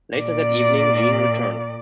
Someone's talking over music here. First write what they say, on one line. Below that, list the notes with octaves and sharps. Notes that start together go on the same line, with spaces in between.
Later that evening, Jean returns.
A#2 D5